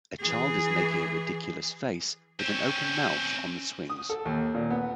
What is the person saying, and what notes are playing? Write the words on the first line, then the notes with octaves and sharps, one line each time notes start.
A child is making a ridiculous face with an open mouth on the swings.
E3 G#4
C4 C#4
D#6
A4
D#2
A#2
B3